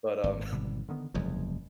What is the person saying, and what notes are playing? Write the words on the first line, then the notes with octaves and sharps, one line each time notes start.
but, um,
G#1
B2 D3 G3
D3 D#3 B3
F#1 E2 C3 F3 G#3